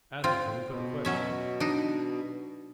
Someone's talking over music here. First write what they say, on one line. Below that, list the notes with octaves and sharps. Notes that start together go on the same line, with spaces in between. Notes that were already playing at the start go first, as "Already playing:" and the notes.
Atherton put a question.
C4 F4
B2
F#3 C#4 E5
D4 D#4